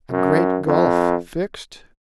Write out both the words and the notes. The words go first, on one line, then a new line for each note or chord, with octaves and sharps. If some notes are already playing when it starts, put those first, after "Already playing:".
A great gulf fixed?
F#2
F2